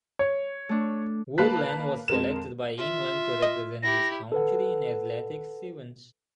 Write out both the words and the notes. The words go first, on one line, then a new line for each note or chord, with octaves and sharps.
Woodland was selected by England to represent his country in athletics events.
C#5
A3 D4
A#3 B4 F5 A5 F#6 B6
F2 G#3 A#4 E7
F4 E5
D#5
E4 G4 A#6
A4 B4 F#5